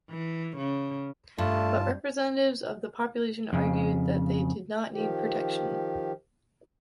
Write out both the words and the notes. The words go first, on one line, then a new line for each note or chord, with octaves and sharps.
But representatives of the population argued that they did not need protection.
E3
C#3
G2 A3 F4 A5
F2 C#3
D#3 F3 G4